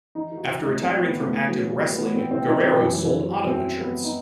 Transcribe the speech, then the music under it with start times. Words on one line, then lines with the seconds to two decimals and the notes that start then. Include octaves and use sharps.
After retiring from active wrestling, Guerrero sold auto insurance.
0.15 E3 D#4
0.31 E3
0.37 F#4
0.48 E3
0.60 D#4
0.65 A2
0.81 E3 C4
0.98 A2
1.03 B3
1.14 A2
1.26 A3
1.31 A2
1.48 E3 F#3
1.64 E3
1.70 G3
1.81 A2
1.92 B3
1.98 E3
2.14 E3 C4
2.31 A2 C4
2.48 E3 D#4
2.64 E3 C4
2.81 F#2 E3
2.97 F#2
3.03 E3
3.14 E3
3.25 F#3
3.30 F#2
3.46 F#2 C4
3.64 E3
3.80 E3 B3
4.04 D#4